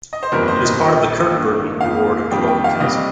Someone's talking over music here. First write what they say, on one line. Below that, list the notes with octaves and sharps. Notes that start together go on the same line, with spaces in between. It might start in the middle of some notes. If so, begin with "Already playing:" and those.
It is part of the Kirkburton ward of the local council.
D#5
C5
G1 F2 D#3 G3 A#3 A#4
C5
D#5
A#1 A#2 F3 G5
G2 D#3 A#3
F2 F3 A#3 F5
F2 D#3 G3 A#3 G5
G5
F5
D#2 D#3 G3 C4 D#5